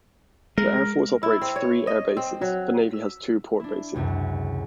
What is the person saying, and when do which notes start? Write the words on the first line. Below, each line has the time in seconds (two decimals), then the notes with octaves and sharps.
The air force operates three air bases; the navy has two port bases.
0.58 G#3 A#4
1.23 E4
1.41 C4
1.56 C#5
1.87 D#5
2.17 C4
2.41 F#3
2.91 E6 B6
3.60 D4 E4
3.94 E1 C#2 F#2 C3